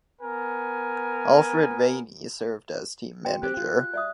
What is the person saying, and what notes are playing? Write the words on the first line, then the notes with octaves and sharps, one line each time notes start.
Alfred Ranney served as team manager.
B3 A#4 G#5
F#4 G5
C4 G4 F#6
F4
D5 E5 D#6